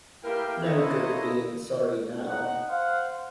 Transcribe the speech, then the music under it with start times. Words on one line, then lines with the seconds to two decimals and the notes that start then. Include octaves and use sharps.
No good being sorry now.
0.24 A3 A#3 E4 G4 A#4 B4 F5 G5
0.65 C3 E3 A4 C5 C#5 D#5
2.28 D#4 F#5
2.69 C5 F5 F#5